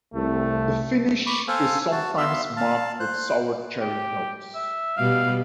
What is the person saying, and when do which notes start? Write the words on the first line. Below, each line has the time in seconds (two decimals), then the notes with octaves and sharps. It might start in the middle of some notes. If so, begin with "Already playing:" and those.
The finish is sometimes marked with sour-cherry notes.
0.14 C2 A3
1.26 B5 C#6 D6
1.48 A4 C5 F5 G#5 F6
1.92 F#4 A5
2.18 B3 E5 F5 C6 E6
2.57 F5 A5
3.00 C5 F#6
3.81 G4
4.55 E5
4.97 B2 G3 F5